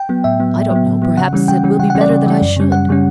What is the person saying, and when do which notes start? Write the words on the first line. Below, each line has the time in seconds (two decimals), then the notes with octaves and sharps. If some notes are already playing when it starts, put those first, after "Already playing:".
"I don't know; perhaps it will be better that I should."
Already playing: G5
0.09 F#3 B3
0.24 A2 E5
0.40 F#3 B3
0.56 A2
0.71 F#3 B3
0.87 A2
1.02 F#3 B3
1.17 C#3 F#5
1.33 E3 G3 C#4
1.48 C#3 G5
1.64 E3 G3 C#4
1.79 C#3 F#5
1.90 F#5
1.95 E3 G3 C#4
2.01 D5
2.10 C#3
2.26 E3 G3 C#4
2.42 F#2
2.57 C#3 G3 C#4
2.72 F#2 F#5
2.89 C#3 G3 C#4